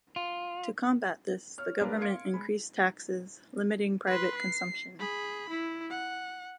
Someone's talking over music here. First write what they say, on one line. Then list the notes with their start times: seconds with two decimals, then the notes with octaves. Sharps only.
To combat this, the government increased taxes, limiting private consumption.
0.16 F4
1.58 C#5 F6
1.81 G3 G#3 A#3 D4 A#4 B4
2.01 F5 C6 G#6 C#7 D7
2.34 G#3 B5
4.07 B4 C6
4.38 C7
4.99 G#4 B5
5.50 E4
5.90 F#5